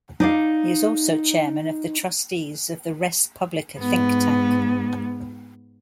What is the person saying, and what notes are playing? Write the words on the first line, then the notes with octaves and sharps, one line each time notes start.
He is also chairman of the trustees of the ResPublica think tank.
D#4 D5 F5
G#2 B3